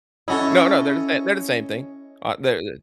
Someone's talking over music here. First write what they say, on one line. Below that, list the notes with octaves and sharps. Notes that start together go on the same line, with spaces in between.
No, no, they're the same they're the same thing. Uh, they they're
C#4 E4 F#4 A4 D#5